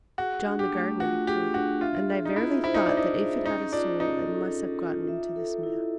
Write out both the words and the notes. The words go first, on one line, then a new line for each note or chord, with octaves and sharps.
John, the gardener, had killed it, and I verily thought that if it had a soul, it must have gotten into this man.
F#4 G#4
D4
G4
A3
F4 F#4
G4 G#4
D4 F#4
F4 E5
G#4
D#4
E4 F4
E4 C5
D#4
D4 E5
D#4
G#4
C#4 D#4
D4 F4
C#4 D#4
A4
C#4
F4
E5
A4
E4